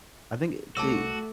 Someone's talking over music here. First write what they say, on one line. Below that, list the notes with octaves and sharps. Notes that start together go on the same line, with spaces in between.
I think, eh, they
C2 A3 F#4 A5 D6 E6